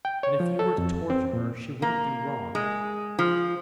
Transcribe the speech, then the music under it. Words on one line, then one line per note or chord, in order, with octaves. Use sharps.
And if you were to torture her, she wouldn't do wrong.
G5
C#5
F3
A4
F2
C4
A#2
A#3
G#3
F3